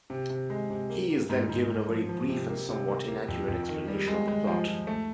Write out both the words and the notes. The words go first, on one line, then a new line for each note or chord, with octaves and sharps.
He is then given a very brief and somewhat inaccurate explanation of the plot.
C3
C3
G#3
C3
A#3
A#3
G#2
G#2
A#3
F3
F3
C3
A#3
C3
A#3
A#3
F2
F2
D#3
G3
G#3
G#3
F3
F3
A3